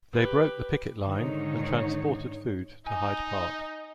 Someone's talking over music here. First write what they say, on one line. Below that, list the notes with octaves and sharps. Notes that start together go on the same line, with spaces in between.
They broke the picket line and transported food to Hyde Park.
G4 B4
G#2 D3 D#3 D#4 C#5
D#4 D#5 G#5